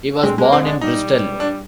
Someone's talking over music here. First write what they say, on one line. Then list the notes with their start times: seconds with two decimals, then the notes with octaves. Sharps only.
He was born in Bristol.
0.23 G#3 C4
0.38 G#3
0.42 A#3
0.53 C4
0.62 G#3 D4
0.81 G3 D#4
1.40 D4